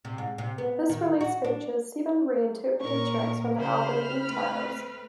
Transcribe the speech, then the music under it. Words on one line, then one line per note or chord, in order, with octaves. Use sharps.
This release features seven re-interpreted tracks from the album End Titles...
C3
G#2
C3
B3
D#3
F#4
D4
A#2 A#4 C#6
C#3 C5 B5 F6
A3 C4 B4